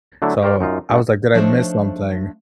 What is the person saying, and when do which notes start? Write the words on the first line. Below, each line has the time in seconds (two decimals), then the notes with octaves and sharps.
so I was like, "Did I miss something?"
0.22 D3 F#3 A3 D4 E4
0.42 G4 A#4 C5 D5 F5
0.61 F#2 D#4 F4
0.90 G2 A3 F#5
1.35 F3 A3 D4 D#4 C5 C#5